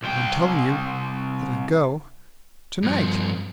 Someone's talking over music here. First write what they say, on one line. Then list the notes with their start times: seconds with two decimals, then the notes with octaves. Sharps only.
"But I'm telling you that I go tonight."
0.03 C2 G5
2.82 G2 F3